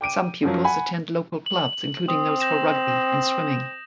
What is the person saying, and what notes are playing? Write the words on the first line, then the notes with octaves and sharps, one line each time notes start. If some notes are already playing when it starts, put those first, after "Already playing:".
Some pupils attend local clubs including those for rugby and swimming.
G5 D6 D7 D#7
F#2 F3 F#3
F#5 G#5 B5
F#7
C4 D#6
G6 A#6 E7